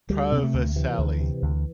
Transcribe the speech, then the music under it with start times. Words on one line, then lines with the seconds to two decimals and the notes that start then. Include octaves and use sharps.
Pro Vercelli.
0.10 D2 G3
0.32 C3
0.38 C4
0.43 A3
0.54 D2
0.76 C3 E3
0.98 D2
1.20 C3
1.42 D2